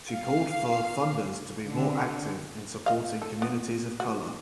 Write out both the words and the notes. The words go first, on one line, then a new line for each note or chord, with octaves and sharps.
She called for funders to be more active in supporting communities of colour.
F5
D3
D#5 F5
A4
B3
F#4